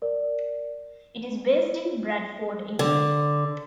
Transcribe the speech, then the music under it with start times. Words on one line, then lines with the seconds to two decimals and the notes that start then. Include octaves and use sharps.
It is based in Bradford, England.
0.02 A#4 D5
2.79 D3